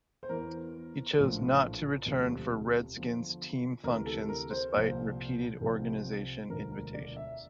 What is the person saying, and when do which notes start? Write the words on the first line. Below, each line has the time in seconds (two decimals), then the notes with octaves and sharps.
He chose not to return for Redskins team functions, despite repeated organization invitations.
0.23 C5
0.29 E2 E3 A#4
1.18 A#1 A2 F3
2.06 E1 D2 C3 F3
2.95 E2 D3 F3
3.84 D2 C3 E3 A#4
4.06 A4
4.29 A#4
4.50 C5
4.73 C2 A#2 F3
5.61 C2 C3 F3
6.50 E1 D2 D3 F3 A#4
6.72 A#4
6.94 D5
7.16 E5